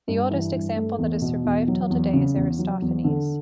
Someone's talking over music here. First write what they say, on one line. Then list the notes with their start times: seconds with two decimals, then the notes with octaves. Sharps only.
The oldest example that has survived till today is Aristophanes.
0.08 G2
0.30 E3
0.53 G2
0.76 A3
0.99 E2
1.22 B2
1.45 E2
1.68 F#3
1.90 E2
2.13 C#3
2.36 E2
2.59 F#3
2.82 E2
3.04 D3